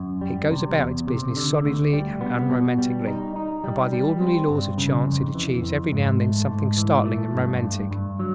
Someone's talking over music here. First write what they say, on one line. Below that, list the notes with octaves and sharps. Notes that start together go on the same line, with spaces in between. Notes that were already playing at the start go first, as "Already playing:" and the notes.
It goes about its business solidly and unromantically, and by the ordinary laws of chance it achieves every now and then something startling and romantic.
Already playing: F#2
G3
C3
E2
C3
D3
D2
G3
B3
B2
G3
D#4
D#4
G3
G3
C4
G2
C#3
F2
E3
F2
G#2
A3
G#2
E3
A3
G2
G2
G2
F#3